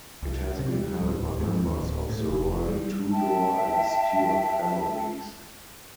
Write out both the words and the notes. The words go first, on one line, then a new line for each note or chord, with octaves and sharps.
It has been held by members of the royal Tudor and Stuart families.
C2
C3
G3
D1
D1
G#2
D#2
D1
A2
F1
G3
E5 G5 A5